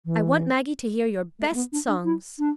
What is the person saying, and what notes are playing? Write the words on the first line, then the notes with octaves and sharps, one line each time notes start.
"I want Maggie to hear your best songs."
E3
A3
A3
B3
D4
D4
E4
D4